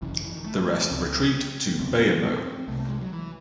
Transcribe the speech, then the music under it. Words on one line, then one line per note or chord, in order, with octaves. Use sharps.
The rest retreat to Bayamo.
G#1 F#2 C#3 E3
E3
E3
D#3
A3
C#2 C#3 C4
F#1 E2 C#3 C4
A3
C4
C4
C2 C3 A3
A3
G#3
F#3
E3